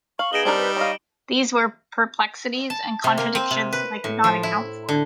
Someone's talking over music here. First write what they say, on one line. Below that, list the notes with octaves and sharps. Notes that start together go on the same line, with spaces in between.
These were perplexities and contradictions that I could not account for.
F5 C#6 F#7
B3 D#4 G#4 D#5 D7 E7 G7
G3 C4 D4 D#4 A#4
B4
C#5 D#5 F5
A5
C3
A#3
C4
C3
B4
A2
F3
E4
D3